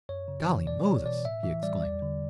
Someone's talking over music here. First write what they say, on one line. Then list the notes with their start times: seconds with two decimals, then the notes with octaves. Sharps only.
"Golly Moses!" he exclaimed.
0.09 F#2 C#5
0.28 C#3
0.47 E3
0.66 B2 D5
0.86 G3 C#5
1.05 B2 D5
1.24 A2 E5
1.43 E3 E5
1.63 G3 D5
1.82 E2 D5
2.02 D3